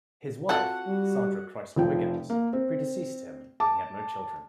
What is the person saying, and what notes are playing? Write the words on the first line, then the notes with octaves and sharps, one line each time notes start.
His wife, Sandra Crysler-Wiggins, predeceased him, and he had no children.
C4 F4 F#4 A4 F#5
G3
F1 F3 G5
A#3
C4
A5 D6